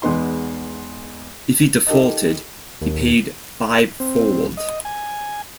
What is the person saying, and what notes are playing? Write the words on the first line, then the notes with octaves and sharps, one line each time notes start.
If he defaulted, he paid fivefold.
E2 G#3 B3 D#4 C6
D#4 G4 A4 A#4 D#5
D#2
C4
D#5
G#5